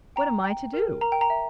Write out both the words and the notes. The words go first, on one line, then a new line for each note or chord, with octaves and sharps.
"What am I to do?"
G5 A#5
G5
A#4
A#4 A#5
G5
A#5
E5